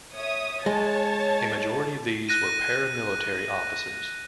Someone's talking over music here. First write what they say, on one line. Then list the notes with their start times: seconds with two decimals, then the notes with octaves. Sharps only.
A majority of these were paramilitary officers.
0.15 C#5 E5 D#6
0.66 G#3 C#5 A5 A6
2.29 F#6 A#6 D#7